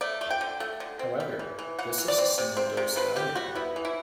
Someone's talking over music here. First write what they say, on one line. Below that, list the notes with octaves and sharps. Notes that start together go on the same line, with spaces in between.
However, this is a single-dose value.
A3 D5
A3
G5
D3
A3
D3
C4
G3
E3
E3
E3 F#5
E3
D5
C4
C3
C4
C3
C4 B4
G3 G4
G3 F#4
B3 E4
E3
E4